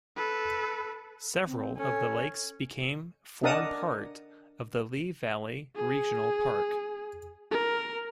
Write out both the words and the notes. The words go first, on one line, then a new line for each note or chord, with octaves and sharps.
Several of the lakes became form part of the Lee Valley Regional Park.
A4 B4
C4
C#4 A4
D4 A#4 D#5 F#5 A5 D#6
G#4
A#4